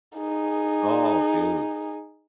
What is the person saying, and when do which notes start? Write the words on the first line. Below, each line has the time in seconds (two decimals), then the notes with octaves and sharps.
Oh, dude.
0.18 D#4 G#4